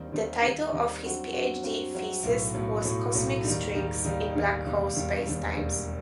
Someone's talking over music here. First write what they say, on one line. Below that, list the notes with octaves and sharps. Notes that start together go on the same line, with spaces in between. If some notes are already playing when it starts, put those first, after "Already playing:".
The title of his PhD thesis was "Cosmic strings in black hole spacetimes".
Already playing: D#2 D#3 G3 C4 D#4
D#2 D#3 G3 C4 D#4
D#2 D#3 G3 C4 D#4
D#2 D#3 G3 C4 D#4
G2 F#3 C4 F#4
G2 F#3 C4 F#4
G2 F#3 C4 F#4
G2 F#3 C4 F#4
B1 A2 F#3 A3
B1 A2 F#3 A3
B1 A2 F#3 A3
B1 A2 F#3 A3
D#2 D#3 G3 D#4
D#2 D#3 G3 D#4
D#2 D#3 G3 D#4
D#2 D#3 G3 D#4
E1 D#2 D#3 G3
E1 D#2 D#3 G3
E1 D#2 D#3 G3
E1 D#2 D#3 G3